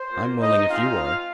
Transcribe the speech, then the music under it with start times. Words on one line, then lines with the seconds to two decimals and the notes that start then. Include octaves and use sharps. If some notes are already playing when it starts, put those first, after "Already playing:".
"I'm willing if you are."
Already playing: C5
0.11 A#3 F4
0.39 D#4 D#5
0.68 G#3 C4 D#4 F4 F5